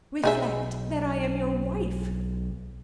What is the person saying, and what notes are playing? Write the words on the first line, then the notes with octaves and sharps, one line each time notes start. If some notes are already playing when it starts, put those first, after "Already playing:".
"Reflect that I am your wife!"
B1 D#4 G#4 E5